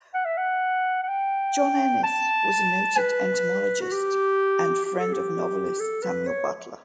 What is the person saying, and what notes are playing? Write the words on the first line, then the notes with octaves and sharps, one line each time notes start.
John Enys was a noted entomologist, and friend of novelist Samuel Butler.
F#5
E5
F#5
F#5
G5
A5
B4
F#4
G4
G4
A4
G4
A4
B4
C#5